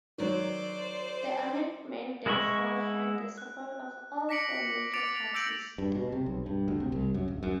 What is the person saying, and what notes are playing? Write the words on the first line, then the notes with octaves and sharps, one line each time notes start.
The amendment, therefore, had the support of all four major parties.
D#3 F#3 C5 D5
G#3 E4 D#5 B5 C#6
F#6
D6 A#6 B6 C#7 D7 F#7
D6 A6 D7 F7
D6 E6 G6 A#6 D7 F#7
G2
B2
C3
B1
G2
D2
C3
C2
F#2
D1
F#2